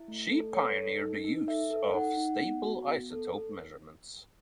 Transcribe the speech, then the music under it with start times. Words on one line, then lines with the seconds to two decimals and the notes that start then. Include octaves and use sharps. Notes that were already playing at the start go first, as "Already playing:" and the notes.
She pioneered the use of stable isotope measurements.
Already playing: E4
0.08 A3
0.31 A4
0.55 A4 C#5
0.78 A4
1.01 D#4
1.24 D#4
1.47 A4 E5
1.70 A4
1.94 D#4 F#5
2.17 D#4
2.41 B3
2.63 F#4
2.87 B3
3.10 A4